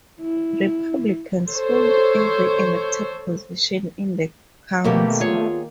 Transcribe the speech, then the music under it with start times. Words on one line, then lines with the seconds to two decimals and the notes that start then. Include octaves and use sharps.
Republicans hold every elected position in the county.
0.21 E4
1.49 A4 C5 C#5
4.84 B2 D#3 A3 A#3 G4
5.20 F4 G#4 C#5